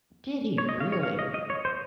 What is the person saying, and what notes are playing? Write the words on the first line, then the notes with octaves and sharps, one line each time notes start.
Did he really?
C#5
D#5
F5
C#5
F5
D#5
D#5
C#5
C5